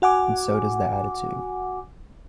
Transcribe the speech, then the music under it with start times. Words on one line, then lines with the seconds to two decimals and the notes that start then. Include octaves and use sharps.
And so does the attitude.
0.02 F#4 F#5 G#5 D6